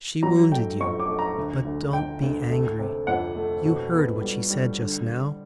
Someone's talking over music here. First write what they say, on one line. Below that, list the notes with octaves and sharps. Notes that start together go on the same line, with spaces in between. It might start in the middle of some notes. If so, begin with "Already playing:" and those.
She wounded you, but don't be angry. You heard what she said just now?
F#3 A#5
A3 G5
F2 C#6
D6
A3
A#5
D2
D2
D2 G5
D2
A3
C3
F2 F#5
A3
B2
B3
G3
G3
D3